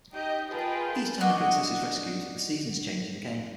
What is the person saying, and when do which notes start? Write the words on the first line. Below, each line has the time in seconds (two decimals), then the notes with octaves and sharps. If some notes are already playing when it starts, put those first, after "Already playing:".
Each time the princess is rescued, the seasons change in the game.
0.11 D#4 G4 D#5 G6
0.50 F4 G#4 A#4 B4 G5 A5
1.21 D4 F#4 D#5